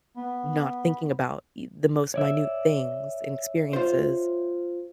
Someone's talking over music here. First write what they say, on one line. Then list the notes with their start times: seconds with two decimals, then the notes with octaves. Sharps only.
not thinking about, y the most minute things and experiences.
0.17 B3
2.14 C#5 D5 E5
3.73 F4 C5